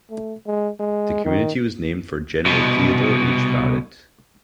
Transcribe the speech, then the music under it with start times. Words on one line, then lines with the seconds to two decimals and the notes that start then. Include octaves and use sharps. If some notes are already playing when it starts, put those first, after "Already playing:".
The community was named for General Theodore H. Barrett.
0.10 A3
0.47 G#3
0.80 G#3
1.25 D#3
2.45 C2 B2